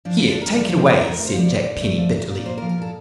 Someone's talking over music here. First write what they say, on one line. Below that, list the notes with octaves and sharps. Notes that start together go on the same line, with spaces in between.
"Here, take it away!" said Jack Penny bitterly.
F3 D4
E4
D3
D4
D3 A#4
A3 D5
F3 C5
D3 C5
D3 A#4
A#4
A3
C5
F3 D5
D3
D3
A3
F3
A#2
A#2
D5
A#3 C5
A#4
F3
A#4
A#2 A4